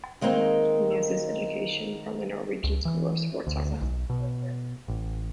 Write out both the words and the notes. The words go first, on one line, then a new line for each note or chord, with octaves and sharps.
He has his education from the Norwegian School of Sport Sciences.
D#3 G#3 A#3 C4 D#4
C#2
E3
D2
B1
B2
A1